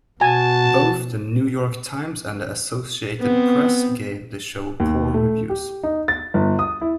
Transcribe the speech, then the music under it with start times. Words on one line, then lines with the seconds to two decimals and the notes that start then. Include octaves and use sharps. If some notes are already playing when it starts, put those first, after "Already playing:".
Both "The New York Times" and the Associated Press gave the show poor reviews.
0.21 B2 F#4 G#5 A5
3.21 B3 C4
4.80 D#2
5.14 A3
5.49 G4
5.83 D#4
6.08 A6
6.34 G1
6.59 D#6
6.81 E4